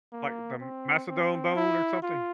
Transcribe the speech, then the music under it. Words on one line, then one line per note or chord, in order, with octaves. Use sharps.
Like, the mastodon bone or something?
A#3
C4
C4
E4
F4